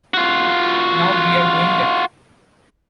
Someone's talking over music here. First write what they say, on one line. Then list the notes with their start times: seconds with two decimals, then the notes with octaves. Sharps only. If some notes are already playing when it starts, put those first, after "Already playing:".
Now we're doing that.
0.14 F4 F#4